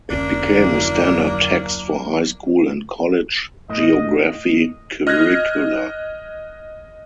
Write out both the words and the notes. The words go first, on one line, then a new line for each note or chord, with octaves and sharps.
It became a standard text for high school and college geography curricula.
F1 D2 A#3 C#4 D4
F#3 E4
A2 D#5
D#5 F6 F#6 G#6 A#6